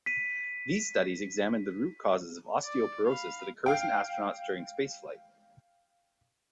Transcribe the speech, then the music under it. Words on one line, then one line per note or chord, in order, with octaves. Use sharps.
These studies examined the root causes of osteoporosis that occurs in astronauts during spaceflight.
B6 D#7
D5
F5 B5
F5 G5